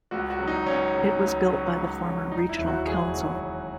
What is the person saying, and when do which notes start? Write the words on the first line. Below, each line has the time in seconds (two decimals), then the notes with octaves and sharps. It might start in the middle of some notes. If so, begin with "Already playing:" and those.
It was built by the former Regional Council.
0.11 C#2 F#4
0.30 F#4
0.39 C#3 F#3
0.47 D#4
0.66 C#2 C#4
0.93 C#3 F#3
1.21 C#2
1.49 C#3 F#3
1.76 C#2
2.04 C#3 F#3
2.31 E1 D#4
2.49 E4
2.58 D#2 C#3 F#3
2.68 F#4
2.86 E1 G#4
3.13 D#2 C#3 F#3
3.41 E1